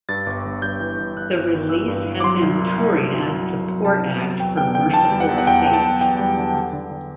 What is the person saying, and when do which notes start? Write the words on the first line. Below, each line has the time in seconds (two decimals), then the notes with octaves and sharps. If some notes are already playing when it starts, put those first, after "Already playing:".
The release had them touring as support act for Mercyful Fate.
0.09 G2 A6
0.26 G1
0.45 G1
0.62 G2 G6
0.80 E3
0.99 G1
1.16 G1 F#6
1.34 G1
1.52 G1
1.70 E3 E6
1.88 G2
2.06 G2
2.20 D6
2.24 F#3 C6
2.41 C2
2.60 C2
2.78 C2
2.96 C2
3.14 C2
3.31 F#3
3.50 C2
3.67 F#3
3.85 C3 A5
4.03 C3
4.21 F#3
4.40 E2 G5
4.57 E2 G5
4.75 D3 G5
4.94 E2 A5
5.11 G3
5.20 F#5
5.29 E2
5.38 F#5
5.47 E2 G5
5.65 E2 G5
5.73 A5
5.83 E2
6.01 E2 G5
6.19 G3
6.37 D3
6.54 D3
6.73 D3
6.91 D3